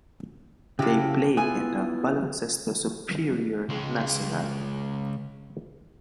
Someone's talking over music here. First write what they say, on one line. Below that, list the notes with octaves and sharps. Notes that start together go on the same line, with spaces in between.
They play in the Baloncesto Superior Nacional.
F2 C#3 E4 F#4 G4
B3 E4 F4 G#5
C#2 G#3